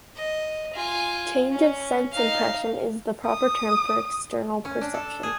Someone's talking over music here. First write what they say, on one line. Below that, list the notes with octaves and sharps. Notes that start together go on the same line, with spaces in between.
Change of sense-impression is the proper term for external perception.
D#5
F4 G#5
C#4
D#4 F5
D#6
C#4
D4
A4
G#4